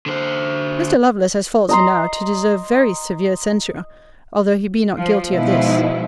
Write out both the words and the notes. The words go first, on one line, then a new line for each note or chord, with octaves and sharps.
Mr. Lovelace has faults enow to deserve very severe censure, although he be not guilty of this.
D3 C5
D#5 A#5 C6
F3
B2 F3 G#3 D#4 E4